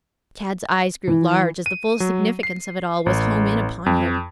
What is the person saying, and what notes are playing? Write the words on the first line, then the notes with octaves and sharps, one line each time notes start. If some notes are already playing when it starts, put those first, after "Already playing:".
Tad's eyes grew large as the full significance of it all was home in upon him.
E3
D#7
F#3
C7
A1
F2